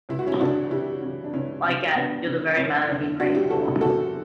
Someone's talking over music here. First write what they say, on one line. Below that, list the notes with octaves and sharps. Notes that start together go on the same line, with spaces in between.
By Gad, you’re the very man I’ve been praying for.
C#2 E4
F#4
C#4 E4
C#3 E3 D4 F#4
C#2 E4 G4
C#3 E3
D4
C#2 C#4 E4
C#3 E3
C#2 B3 D4
C#3 E3
F#1 C#4 E4
E2 D3
F#1 D4 F#4
E4 G4
E2 D3 F#4 A4
F#1 F#4 A4